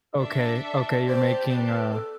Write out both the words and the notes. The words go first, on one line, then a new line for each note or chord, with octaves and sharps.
okay, okay, you're making a
D4 A4 D5 E5
C4 G4 C5 D5 A5
C5
B4
A4